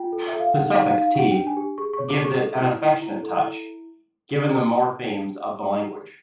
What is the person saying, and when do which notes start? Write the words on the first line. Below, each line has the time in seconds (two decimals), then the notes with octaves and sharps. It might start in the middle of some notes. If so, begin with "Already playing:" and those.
The suffix "-t" gives it an affectionate touch, given the morphemes of the language.
Already playing: F4 G5
0.12 A4
0.28 E5
0.33 A4
0.40 F5
0.53 D#4 F#5
0.68 F5
0.74 D#4
0.84 F5
0.95 D#4
1.00 F5
1.15 G4 F#5
1.31 G5
1.36 D4
1.47 G#5
1.57 G4
1.78 G#4 C#6
1.93 C#5 C#6
2.08 D6
2.19 G#4
2.24 C#6
2.39 A4
2.61 E4
2.81 E4
3.02 E4
3.23 A4
3.43 E4